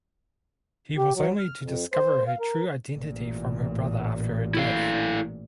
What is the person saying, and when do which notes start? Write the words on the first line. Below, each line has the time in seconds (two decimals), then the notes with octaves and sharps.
He was only to discover her true identity from her brother after her death.
0.97 G4
1.16 F#3
1.39 F6
1.62 F2
1.93 C5
2.27 F5
2.40 A#4
2.93 A1 A#2
4.54 E4 A4 F5